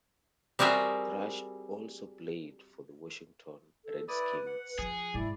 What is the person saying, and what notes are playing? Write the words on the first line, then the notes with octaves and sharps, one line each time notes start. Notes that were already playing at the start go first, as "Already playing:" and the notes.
Thrash also played for the Washington Redskins.
G3 C4 F#4 G#4 A#4 E5
A4
E4 B4 D5 D#6
F#5
F3 G#4
G#2 E4 D5